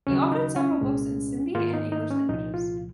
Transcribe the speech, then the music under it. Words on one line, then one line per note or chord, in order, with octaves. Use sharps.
He authored several books in Sindhi and English languages.
D#2 C#3 F#3 C#4
D#4
C#4
C2 A#2 G#3
G#2 D#3 A#3 F4
D#4
D#4
C#4
C2 A#2 F3 D#4
F4